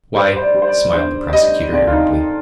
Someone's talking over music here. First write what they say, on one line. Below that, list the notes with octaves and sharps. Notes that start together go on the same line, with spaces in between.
"Why?" smiled the prosecutor irritably.
G3 C5
C5
D5
G3
C5
D5
G2 C5
G3 D#5
F2 D5
F4
D#4